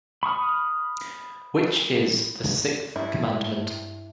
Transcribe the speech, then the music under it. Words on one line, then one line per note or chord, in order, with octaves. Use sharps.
Which is the sixth commandment?
B5 C#6 D#6 F6
G2 E4